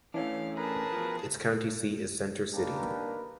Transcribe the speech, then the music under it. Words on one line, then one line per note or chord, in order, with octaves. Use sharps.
Its county seat is Center City.
E3 A3 C#4 D4 F5
G#4 A#4 B4 A5
B2 F3
A#3 D4 D#4 G4 A#4 B4